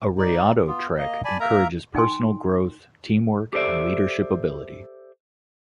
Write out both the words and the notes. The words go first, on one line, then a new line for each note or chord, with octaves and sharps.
A Rayado Trek encourages personal growth, teamwork, and leadership ability.
D#4 D5
B3 F4
A#3 D#5
D5 G#5 A5 B5
A#3 A#4 E5 A#5
D#4 G5 G#5 C6
G4 A4 C5 D5 E5